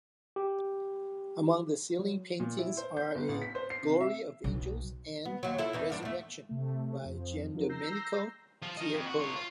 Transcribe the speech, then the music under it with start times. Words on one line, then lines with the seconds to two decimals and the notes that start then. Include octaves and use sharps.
Among the ceiling paintings are a "Glory of Angels" and "Resurrection" by Giandomenico Tiepolo.
0.36 G4
1.99 F#3
2.40 A#2
2.58 E4
2.77 C5
2.97 G6
3.15 G1
3.29 A1
3.42 B6
3.55 C5
3.70 C7
3.83 C3
4.01 E5
4.44 B1
5.25 B3
5.43 D#2 F#3
5.58 E4 F4 A4
5.73 E2 E3 D#4
5.90 G2 D4 F5
6.03 E2 A3
6.49 C3 A3
7.02 F2 F3
7.54 F3 F#3 C4 D#4 A#4
7.69 A#5 E6 G6 A#6 C7
8.62 F3 F4
8.77 A#4 D#5
8.94 F2
9.07 F#4
9.19 F4 C#5
9.36 F4